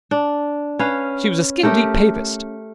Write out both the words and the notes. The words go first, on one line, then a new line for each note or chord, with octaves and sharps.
She was a skin-deep Papist.
D4
C#4 B4 F5
A3 G4 A#4